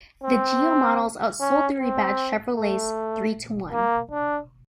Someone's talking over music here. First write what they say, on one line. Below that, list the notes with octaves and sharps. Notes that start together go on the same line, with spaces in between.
The Geo models outsold the rebadged Chevrolets three to one.
C4
C#4
C4
A3
A#3
D4